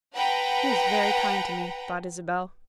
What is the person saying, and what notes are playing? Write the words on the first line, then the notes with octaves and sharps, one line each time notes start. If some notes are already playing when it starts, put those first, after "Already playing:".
"He is very kind to me," thought Isabel.
B4 F#5 G5 A5 A#5